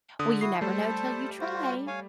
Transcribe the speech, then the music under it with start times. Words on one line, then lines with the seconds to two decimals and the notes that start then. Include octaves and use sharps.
"Well, you never know till you try."
0.19 D3 D#6
0.41 E4 F#4 D#6 C7
0.61 G3 A3 A4 C5 A5
1.40 F4 F#4 C5
1.87 C#5 F5 G#5